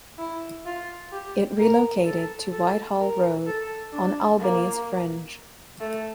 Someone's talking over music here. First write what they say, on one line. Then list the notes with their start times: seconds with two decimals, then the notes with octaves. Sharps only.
It relocated to Whitehall Road on Albany's fringe.
0.18 E4
0.66 F4
1.13 G4
1.59 A#4
2.06 A4
2.52 A4
2.99 A#4
3.47 A4
3.93 D4
4.39 A#3
5.80 A3